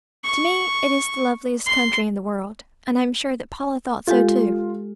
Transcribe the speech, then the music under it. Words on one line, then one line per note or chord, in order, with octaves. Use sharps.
To me it is the loveliest country in the world and I am sure that Paula thought so too.
C#6
C6
G#3 F4 G4 A4